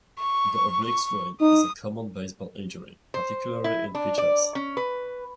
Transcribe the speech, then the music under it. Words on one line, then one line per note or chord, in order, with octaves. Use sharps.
The "oblique strain" is a common baseball injury, particularly in pitchers.
C#6
C#6
D#4 D#6
C5
E4
D4
D5
C#4
B4